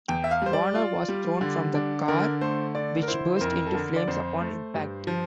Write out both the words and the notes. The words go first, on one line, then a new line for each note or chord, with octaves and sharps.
Warner was thrown from the car, which burst into flames upon impact.
E2 G5
E5
F5
G3 C5
D5
F4
G3
D3
D4
D3 A#4
A3 C5
D3 D5
A#4
E4 C5
C5
F2 A#4
A4
D3 A#4
D5
F2 C5
A3
G2
F3